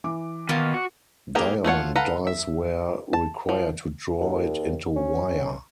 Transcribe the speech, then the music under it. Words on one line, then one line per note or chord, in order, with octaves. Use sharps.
Diamond dies were required to draw it into wire.
E3 D6
B2 D#3 A#3 C#4 F4
F#4
E3 A#3 G4 G#4 A#4
A3 F4 C#5 F#5
A4 B4 F5 F#5 A#5
E5
A5
F3
D#2
C#4